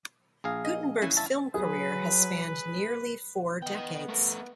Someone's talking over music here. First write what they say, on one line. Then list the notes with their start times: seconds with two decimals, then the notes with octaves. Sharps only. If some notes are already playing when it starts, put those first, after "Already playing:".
Guttenberg's film career has spanned nearly four decades.
0.44 A#1 G#4 F5
0.65 D#5
1.02 E3 C#4 E4
1.17 G1 E5 A5
1.54 F#3 G#4 B4
3.62 B3 D#5 G5
4.09 A3 A#4